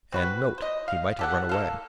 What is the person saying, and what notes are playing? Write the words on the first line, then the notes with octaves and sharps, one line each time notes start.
And, note, he might have run away.
C4 F#4 B4
C5 D#5
F5
G4 A4 F#5
A#3 A4 F5